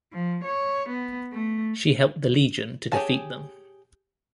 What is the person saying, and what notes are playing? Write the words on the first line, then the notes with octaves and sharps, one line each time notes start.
She helped the Legion to defeat them.
F3
C#5
B3
A3
G4 G#4 C#5 G#5 A5